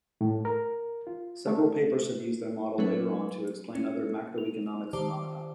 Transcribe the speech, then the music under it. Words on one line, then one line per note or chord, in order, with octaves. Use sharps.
Several papers have used their model later on to explain other macroeconomic phenomena.
A2
A#4
F4
A3
F#3 A3 C#4 B4
C#4
F7
D#3 G4 C5 D5 A5 D6